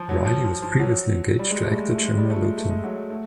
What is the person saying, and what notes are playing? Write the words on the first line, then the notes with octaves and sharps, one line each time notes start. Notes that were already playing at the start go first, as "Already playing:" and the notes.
Reilly was previously engaged to actor Jonah Lotan.
Already playing: F3
F#3
F3
F3
F3
F#3
G3
G#3
A3
G3
G#3
A3
G#3
G3
A3
G#3
A3
G#3
F#3
A3